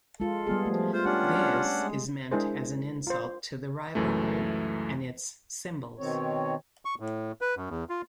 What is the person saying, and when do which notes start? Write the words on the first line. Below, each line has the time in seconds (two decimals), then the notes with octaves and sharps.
This is meant as an insult to the rival group and its symbols.
0.20 G#3 F4 A4
0.47 G3 B3 F4 G#4
0.66 F3 A3
0.93 F4 C5
1.05 C#4 D4 G4 F#5
1.75 G#3
2.31 G#3 D4 E4 G#4 A#4 C5
3.07 F4 C5
3.95 C#2 F#2 E3 A3
5.99 B2 D#3 C4 C#5
6.85 C#6
7.00 A2
7.41 B4
7.57 F#2
7.69 E2
7.89 F4